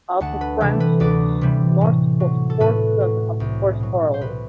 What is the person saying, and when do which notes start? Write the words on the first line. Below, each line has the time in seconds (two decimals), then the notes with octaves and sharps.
Arthur Francis Northcote, fourth son of the first Earl.
0.20 D2 F#5 A5
0.41 B4
0.61 C3 E3 G3 A4
0.80 B4
1.00 D2 B4 D5
1.41 C3 E3 G3
1.81 A2
2.20 F#3
2.50 A4
2.60 A2 B4
3.00 F#3
3.40 C2
3.80 B2 F#3
4.14 C5
4.21 C2 B4